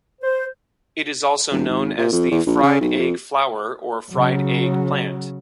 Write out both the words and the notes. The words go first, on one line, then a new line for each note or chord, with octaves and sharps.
It is also known as the "fried egg flower" or "fried egg plant".
C5
E1
G#1
A#2
F2
E2
A#1
C#3
B1
F2
C#3 F#3